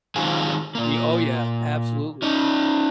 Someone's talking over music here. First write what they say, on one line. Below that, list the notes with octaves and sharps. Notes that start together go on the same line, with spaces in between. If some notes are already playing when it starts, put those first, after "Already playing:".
Y oh, yeah, absolutely,
D#3 F#3 G#3 C4 F4 G#4
A#2 A#3
C#4 D#4